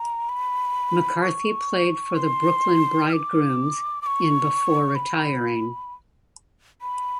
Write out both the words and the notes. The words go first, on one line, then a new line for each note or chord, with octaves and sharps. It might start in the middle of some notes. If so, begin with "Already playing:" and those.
McCarthy played for the Brooklyn Bridegrooms in before retiring.
Already playing: A#5
B5
C#6
C6
F6
D6
D6
C#6
B5
B5